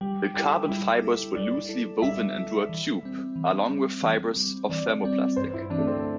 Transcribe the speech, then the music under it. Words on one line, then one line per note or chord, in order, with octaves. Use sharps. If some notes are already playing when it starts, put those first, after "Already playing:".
The carbon fibers were loosely woven into a tube along with fibers of thermoplastic.
G3 G4
E4 G4 A4
G3 E4
E4 A4
G3 D5
E4 A4
G3 E5
E4 A4
E3
G3 C4
E3
G3 C4
E3
G3 C4
E3 D5
G3 C4 D5
G2 C5
E4
E3 C4 D4
A3
C4